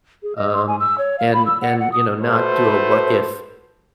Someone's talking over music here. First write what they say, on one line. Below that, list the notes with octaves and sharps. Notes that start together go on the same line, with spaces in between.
um, and and, you know, not do a what-if
G#4
D#5
C6
G#5
E6
C#5
F5
B5
E6
F#5
F#5
D#6
A3 F#4 A4 B4 C5